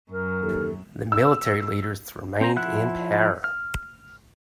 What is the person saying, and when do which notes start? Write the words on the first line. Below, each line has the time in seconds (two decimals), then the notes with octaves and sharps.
The military leaders remained in power.
0.12 F#2 A#4
0.42 D#2 A4
1.12 E6
2.41 C4 C5 A#5
2.56 F3 E4 E5 F#5 F#6
3.44 F6